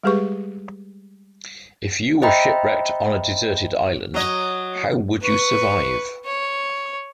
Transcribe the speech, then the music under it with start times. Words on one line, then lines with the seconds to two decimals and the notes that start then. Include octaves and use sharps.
If you were shipwrecked on a deserted island, how would you survive?
0.04 G3 G#3 G4 G#4 B4 C#6
2.22 C5 D#5 E5 G5 A#5 B5
4.14 F#3 D#5
5.22 B4 C#6
6.26 C#5